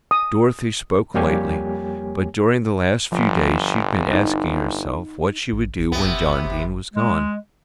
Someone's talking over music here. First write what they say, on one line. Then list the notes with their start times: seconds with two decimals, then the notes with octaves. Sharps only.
Dorothy spoke lightly; but during the last few days she had been asking herself what she would do when John Dene was gone.
0.11 D#6
1.14 F2 G3 A#3 G4 C#5 G#5
3.12 G1 F3
4.13 D#4
5.53 A1
5.79 G1
5.92 C2 C3 B3
6.05 F#1
6.46 G1
6.94 G#3